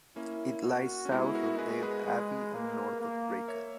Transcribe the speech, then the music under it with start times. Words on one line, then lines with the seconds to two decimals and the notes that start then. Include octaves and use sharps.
It lies south of Dale Abbey and north of Draycott.
0.16 A#3 C#4 E4
0.63 F#4
1.05 C#4
1.11 G#3 B3 E4
1.35 F#4 A#4
1.58 G#3 G#4 B4
1.83 G#4 B4
2.06 G#3
2.54 A#3
3.01 A#3
3.48 C#5 E5